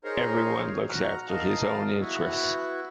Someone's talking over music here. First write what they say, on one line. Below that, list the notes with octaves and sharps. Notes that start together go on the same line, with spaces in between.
Everyone looks after his own interests.
D#4 G#4 A#4 C5 C#5
A#2 F#4 F#5 A#5 F6
D#4 A#4 D#5 F5 A5
B3 E4 F#4